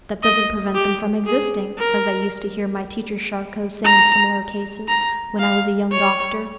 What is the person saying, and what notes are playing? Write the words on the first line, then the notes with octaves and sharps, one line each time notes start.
"That doesn't prevent them from existing," as I used to hear my teacher Charcot say in similar cases, when I was a young doctor.
D#5
G4
G#4
A#4
A#5
A#5
F5
C#5